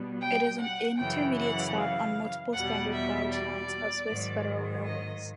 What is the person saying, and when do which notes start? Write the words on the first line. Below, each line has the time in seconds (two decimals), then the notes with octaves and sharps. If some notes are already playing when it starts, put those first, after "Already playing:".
It is an intermediate stop on multiple standard gauge lines of Swiss Federal Railways.
Already playing: B2 G3 B3
0.21 G5
0.60 F#5
0.98 F#2 C#3 E3 G5
1.37 F#5
1.77 F5
2.53 E2 B2 G3 F#5
2.92 E5
3.31 D5
4.09 G#2 D#3 F#3
4.85 D#5